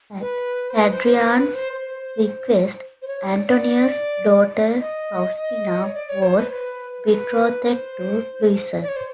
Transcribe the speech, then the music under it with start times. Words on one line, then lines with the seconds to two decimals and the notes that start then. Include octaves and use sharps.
At Hadrian's request, Antoninus' daughter Faustina was betrothed to Lucius.
0.21 B4
0.70 C5
0.78 B4
0.92 C5
1.06 C5
1.20 B4
1.35 B4
1.54 C5
1.73 C5
3.02 C5
3.07 C#5
3.27 D5
3.46 D5
4.80 D#5
5.36 D#5
5.83 C#5
5.94 D5
6.09 C#5
6.22 C5
6.38 B4
6.51 B4
7.10 B4
7.66 C5
8.82 D5
8.88 C#5
8.96 C5